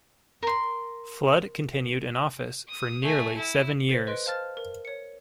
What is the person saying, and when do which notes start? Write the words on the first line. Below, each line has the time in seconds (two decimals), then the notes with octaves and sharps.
Flood continued in office for nearly seven years.
0.43 A#4 C6
2.68 D#6
3.02 A3 G#5
3.37 E4
3.89 A4 C5 A6 B6
4.07 B4 D#5 C6 F#6 D7
4.26 C5 F5 A5 F6 A6
4.57 A#4
4.85 C#5 C#7